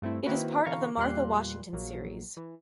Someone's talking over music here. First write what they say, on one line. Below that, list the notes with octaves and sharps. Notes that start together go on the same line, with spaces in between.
It is part of the Martha Washington series.
G2 A3 C4 E4
D#3 A#3 C4 E4 F#4 B4
B2 D3 E3 F5 A#5 C#6
E2 A#2 G3 A#3 C6 F#6
A#1 F#3 A#3
E3